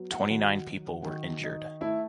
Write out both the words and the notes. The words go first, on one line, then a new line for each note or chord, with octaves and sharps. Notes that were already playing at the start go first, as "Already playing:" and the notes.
Twenty-nine people were injured.
Already playing: F#3 B3
F#4 F#5
D#3 F#4 F#5
F#3
D#3
D#4
A3 E4 E5